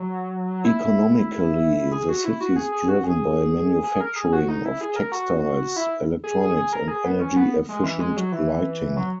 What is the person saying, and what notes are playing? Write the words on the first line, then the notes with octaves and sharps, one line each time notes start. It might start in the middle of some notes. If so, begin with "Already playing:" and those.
Economically, the city's driven by manufacturing of textiles, electronics, and energy-efficient lighting.
Already playing: F#3
E4
G#4
F#4
E4
F#4
G#4
G#4
F#4
G#4
G#4
A#4
G#4
F#4
D#4
E4
G#4
A#4
F#4
E4
G#4
G#4
G#4
A#4
G#4
B3
C#4
B3
G#3
E3
G#3
F#3
E3
F#3